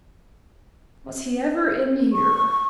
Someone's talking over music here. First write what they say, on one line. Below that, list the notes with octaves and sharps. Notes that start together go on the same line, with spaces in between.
"Was he ever in here?"
C#6